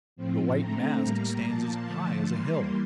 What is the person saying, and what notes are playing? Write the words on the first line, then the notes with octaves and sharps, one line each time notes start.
"The white mast stands as high as a hill."
A2 F3 C4
D3 A3 C4 A#5
A2 G3 A#3
A#2 F3 A#3 A5
D3 F3 A3 A5
E3 G3 A#3 C6